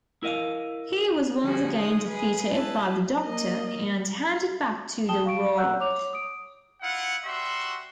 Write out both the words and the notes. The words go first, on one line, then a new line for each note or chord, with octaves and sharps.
He was once again defeated by the Doctor and handed back to the Wrarth.
E4 A#4 D#5 F5
D3 F3 G3 F#4 G#4
G#3 D#4 D#6
G#3 G#4 B4
G#3 E4 B4 A5
A#3 D#5
G5 A5 D#6 E7 G7
F5 C#6 D7
F#5 A#5 E6 F#6 G6
C#5 D6 F7
D#6 D7
E4 F4 F#5
G3 F#4 E5 C6